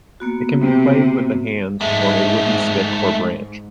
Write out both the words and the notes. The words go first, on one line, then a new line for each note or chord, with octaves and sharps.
It can be played with the hands or a wooden stick or branch.
A#3 B3 F#4
C3
G#2 G#3 A3